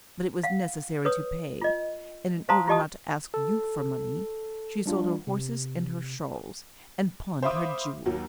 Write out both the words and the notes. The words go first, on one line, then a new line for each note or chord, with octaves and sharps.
But it was necessary to pay, and in order not to ask you for money, she sold her horses and her shawls, and pawned her jewels.
F5 F#5
B4 C#5 D#6
F4 D#5
C5 F5 A5 A#5 C6 D#6
F4 G4 D#5 A5 D#6
A4
G3 D4 F4
C3
C5 E5 F5 B5 D6 D#6
D#2 F#3 A#3